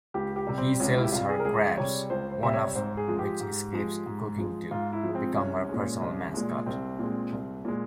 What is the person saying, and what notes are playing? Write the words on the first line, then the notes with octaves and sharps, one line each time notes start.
He sells her crabs, one of which escapes cooking to become her personal mascot.
C#2 G4
G4
C3 G3
C4
C#2 C#4
E4
G4
C3 G3 F4
G#4
A#4
C#2 G#4
C3 G3 C#5
C#2 C5
C5
C3 G3 E5
C#5
G#2 C5
G#4
F3 G#3
G4
G#2
F3 G#3
G#2
F3 G#3
G#2 F4
E4
F3
G#3
C4
C2 C#4
A#2 G#3
C2
A#2 G#3
C2 C4
A#2 G#3
C2
A#2 G#3